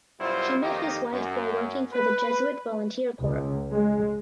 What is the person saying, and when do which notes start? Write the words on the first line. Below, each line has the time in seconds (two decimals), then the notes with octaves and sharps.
He met his wife while working for the Jesuit Volunteer Corps.
0.20 F#2 B2 G3 E4 F4 C5
0.62 F2 D#3 A#3 D#4 G4
1.12 F#2
1.93 B4
3.22 C#2
3.71 G#3